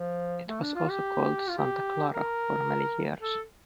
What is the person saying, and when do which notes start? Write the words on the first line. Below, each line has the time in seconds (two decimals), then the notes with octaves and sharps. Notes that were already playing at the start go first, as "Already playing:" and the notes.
It was also called Santa Clara for many years.
Already playing: F3
0.48 A3
0.61 D4
0.75 F4
0.90 G4
1.49 F4
1.58 G4
2.13 A#4
3.22 A4